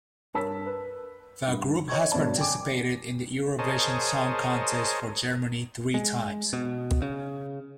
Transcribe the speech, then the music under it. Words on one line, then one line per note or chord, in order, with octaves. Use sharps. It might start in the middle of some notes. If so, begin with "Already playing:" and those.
The group has participated in the Eurovision Song Contest for Germany three times.
G2 A#4 C#5 A5 E6 B6
B4
G2
C#5 D#5 C#6 G#6
G#1 G2 B2 C#5 D5 A5
G5 G#5 D6
G#4 A#4 C5 C#5 D#5 A5
G#3
B2
C#3